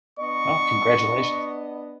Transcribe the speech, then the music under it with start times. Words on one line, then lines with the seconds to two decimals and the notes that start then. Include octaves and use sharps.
Oh, congratulations.
0.19 B3 D4 D#5 C#6